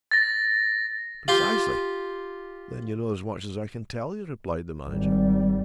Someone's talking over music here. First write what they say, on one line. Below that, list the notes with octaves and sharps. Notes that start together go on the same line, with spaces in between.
"Precisely!--then you know as much as I can tell you," replied the manager.
A6 A#6
F4 G4 C6
G#1 G3